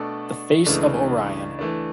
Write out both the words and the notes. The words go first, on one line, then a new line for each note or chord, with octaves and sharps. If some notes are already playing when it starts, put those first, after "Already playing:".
The face of Orion.
Already playing: B2 A3 D4 A4 D5
C#2 C#3 E3 A3 D4
E3 A3 D4